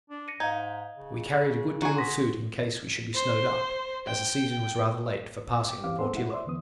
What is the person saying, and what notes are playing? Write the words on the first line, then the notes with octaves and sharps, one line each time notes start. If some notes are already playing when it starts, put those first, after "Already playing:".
We carried a good deal of food in case we should be snowed up, as the season was rather late for passing the Portillo.
D4
A#6 C#7 D#7
G#2 D#4 F5 G#6
C#3
F#4 G#4 F#5 A#5 C#6
C6 A#6 B6
C5
G5
G5 D6
E3 C4 G4 F5 D6
G2 B3 C4 A4 F#5 C6
G#3 E4 F#5
C5 D5 E5 C6
E2 D3 E3 B3 D#6